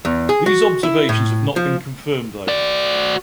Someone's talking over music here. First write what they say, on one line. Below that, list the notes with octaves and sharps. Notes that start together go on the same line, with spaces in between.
These observations have not been confirmed though.
E2
G#4
F#4
E4
A2
F3
F#4 D5